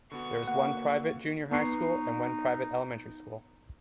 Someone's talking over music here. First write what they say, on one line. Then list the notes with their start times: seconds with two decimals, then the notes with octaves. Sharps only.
There is one private junior high school and one private elementary school.
0.11 D3 B3 F#4 C#6
0.48 A#3 F#5
1.51 B3 D#4 C#6 C7